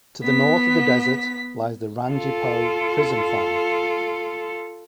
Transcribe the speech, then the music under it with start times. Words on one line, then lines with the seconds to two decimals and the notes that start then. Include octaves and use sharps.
To the north of the desert lies the Rangipo prison farm.
0.23 B3 B6
2.09 F4 A4